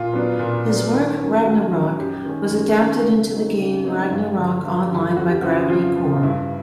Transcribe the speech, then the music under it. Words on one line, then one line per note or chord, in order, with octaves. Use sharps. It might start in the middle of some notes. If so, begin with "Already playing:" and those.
His work "Ragnarok" was adapted into the game Ragnarok Online by Gravity Cor.
Already playing: A#2 F4
F#3 B3 D4
A#2
F#3 B3 D4
D#3
F#3 A#3 C#4
D#3 F#4
F#3 A#3 C#4
F#2 G4
D#3 G#3 C#4
F#2
D#3 G#3 C#4
C#3
F#3 A3 C4 D#4
C#3
F#3 A3 C4 D#4
G2
D3 G3
G2
D3 G3
F2 F#4
G4
C#3 F3 F#4
F2 F4
C#3 F3
G2 E4